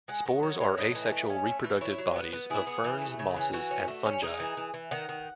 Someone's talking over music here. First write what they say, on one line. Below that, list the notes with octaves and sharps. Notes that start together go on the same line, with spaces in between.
Spores are asexual reproductive bodies of ferns, mosses and fungi.
G#3 F#5
D#3
F#3
F#3
A2 D#5
E3
A3
C#4
A3
E3
E4 C#5
F#3
B3
B3
E4 G#4
B3
E3
A3
C#3
E3
E3 F#4
C#4
A3
C#4
D#4 G#4
E3
E3
E3
D#3 F#5
D#3